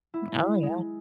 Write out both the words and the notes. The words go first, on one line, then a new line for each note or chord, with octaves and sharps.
Oh, yeah.
E4
G#3